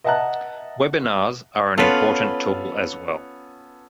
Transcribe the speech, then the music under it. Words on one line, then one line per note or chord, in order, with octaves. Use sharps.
Webinars are an important tool as well.
D#5 E5 F#5 A5 A#5 F#6
B3 C#4 F4 A4 B4